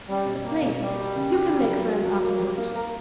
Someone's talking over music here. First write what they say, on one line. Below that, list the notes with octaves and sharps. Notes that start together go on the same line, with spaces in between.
"It's late. You can make friends afterward."
G3 C#4
B2
A#3 C#4
B2
G3 A#3
A#3
C#3
C#3
F#3
F#3
A#3
F#3
A#3 A#4
G3
A#3
A#4